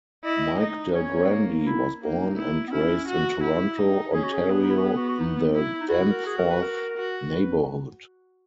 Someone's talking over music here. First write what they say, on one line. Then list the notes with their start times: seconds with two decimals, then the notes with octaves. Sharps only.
Mike Del Grande was born and raised in Toronto, Ontario in the Danforth neighbourhood.
0.24 E4 D#5
0.60 D#4
0.95 C#4 C#5
1.30 A#3
1.66 E4
2.02 A#3 D#4
2.37 E4
2.68 B3
2.72 C#4 E4
3.08 F#4
3.43 E4
3.78 D#4
4.14 C#4 G#4
4.24 F#4
4.33 G#4
4.49 B3
4.63 D#4
4.70 E4
4.78 F#4
4.84 G#4
4.96 F#4
5.08 F#4
5.20 D#4
5.55 E4
5.80 D#4
5.91 E4 F#4
6.09 A#4
6.26 G#4
6.38 A#4
6.50 B4
6.62 A#4
6.97 F#4
7.33 B4